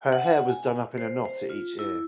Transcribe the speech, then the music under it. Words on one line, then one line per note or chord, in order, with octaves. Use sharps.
Her hair was done up in a knot at each ear.
F#5
G#5
C5
C5
F4
E4